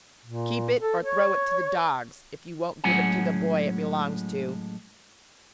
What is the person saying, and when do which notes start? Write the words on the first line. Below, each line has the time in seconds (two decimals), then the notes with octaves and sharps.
Keep it or throw it to the dogs, if you won't give it to the boy it belongs to.
0.25 A#2
0.80 A4
1.04 C#5
2.84 A2 F#3 G#3 C#4 F#5 G#5